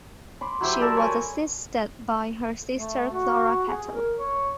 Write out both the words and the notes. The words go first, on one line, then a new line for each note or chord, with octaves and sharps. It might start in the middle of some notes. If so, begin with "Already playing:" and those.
She was assisted by her sister Clara Cattell.
B5 C6 D6
F#3 E4 G4 C5
A4 A#4 D5 E5
C#5 G#5
A3
F#4
G#4
A#4
C#5